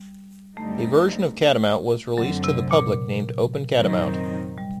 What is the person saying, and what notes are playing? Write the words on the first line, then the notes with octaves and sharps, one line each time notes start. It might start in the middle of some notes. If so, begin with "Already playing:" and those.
A version of Catamount was released to the public named OpenCatamount.
Already playing: G3
F#2 D3 G3 A3 C4 D#4
F#2 D3 F#3 A3 C4
C3
A#2
F#2 D#3 F#3 C4 D#4
G3